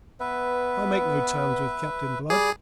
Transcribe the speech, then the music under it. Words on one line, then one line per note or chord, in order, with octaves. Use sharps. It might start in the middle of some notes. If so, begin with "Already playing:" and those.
I make no terms with Captain Blood.
B3 B4 E5
G3 G#4 D5 D6